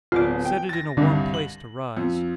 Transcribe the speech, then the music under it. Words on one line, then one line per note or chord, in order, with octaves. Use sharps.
Set it in a warm place to rise.
D1 B3 F4 D5
G5
A6 A#6
C2 G2 D3 D4
F#7
F2